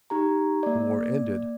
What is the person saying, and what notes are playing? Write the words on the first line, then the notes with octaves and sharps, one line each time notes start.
The war ended.
D#4 G4 A#5
A#3 D5